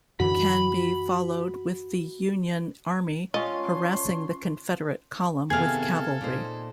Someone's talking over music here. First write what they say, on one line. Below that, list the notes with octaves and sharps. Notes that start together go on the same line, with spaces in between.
Canby followed with the Union army, harassing the Confederate column with cavalry.
F#2 D3 E3 F#4 B5
C#4 D4 F4 C#5 D#5 C6
C3 D#3 B3 G#4 A4 F5 F6 G#6
A#2 D#4 C5